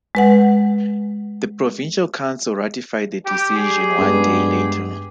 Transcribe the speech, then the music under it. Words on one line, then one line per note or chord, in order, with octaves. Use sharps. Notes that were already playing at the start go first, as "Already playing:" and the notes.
The Provincial Council ratified the decision one day later.
G#3 B4 F#5
G4
G3 G4 G#4
G2 G#3 B3